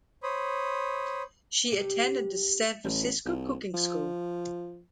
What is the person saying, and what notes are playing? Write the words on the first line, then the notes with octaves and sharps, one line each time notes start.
She attended the San Francisco Cooking School.
C5 C#5 B5 D#6
C3 G4
A1
C2
F3